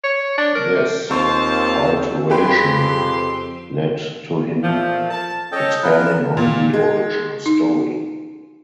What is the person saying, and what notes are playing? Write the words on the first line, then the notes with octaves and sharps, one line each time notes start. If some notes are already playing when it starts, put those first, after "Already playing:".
This alteration led to him expanding on the original story.
C#5
D4
A#4
C3
D#2 C4 F4 C5 A5 C#6
F2 G4 G#4 B4 G5 C6
A#2 F3 A3
A5
C#4 A4 C#5 D#5 G5
E3 F3 A#4 B4
A#2
G#3
D#4